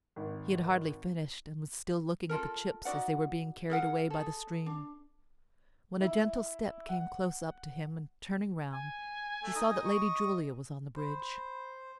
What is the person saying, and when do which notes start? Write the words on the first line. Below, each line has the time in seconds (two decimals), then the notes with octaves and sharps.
He had hardly finished, and was still looking at the chips as they were being carried away by the stream, when a gentle step came close up to him, and turning round, he saw that Lady Julia was on the bridge.
0.16 G#1
2.29 F4 A4 A#4
2.85 D#4 F#4 D5 F#5
3.70 G#4 A#4 F#5
4.10 G#4 A4
4.66 D4
6.00 E4
6.89 F#5
8.71 G#5
9.43 A3
9.56 D#4 D#5
9.85 C#6
10.96 C5 B5